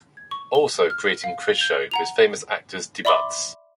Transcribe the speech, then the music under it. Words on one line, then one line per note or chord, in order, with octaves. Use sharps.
Also creating quiz show with famous actors' debuts.
G#6
C#6
G7
F6
F5
G6
F#5 A#5 F7
D5 E5 B5 C6 D6